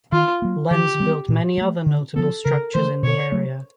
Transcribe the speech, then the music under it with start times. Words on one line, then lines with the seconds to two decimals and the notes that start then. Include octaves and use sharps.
Lenz built many other notable structures in the area.
0.12 D#3 F4
0.42 F#3 A#3
0.70 D#3 G4
1.00 G3 B3
1.29 A#2
1.58 F#3 A3
1.86 D3
2.16 F3 G#3 B3 A4
2.45 C#3 A#4
2.74 E3 A3 C5
3.03 B2 C#5
3.32 F#3 A3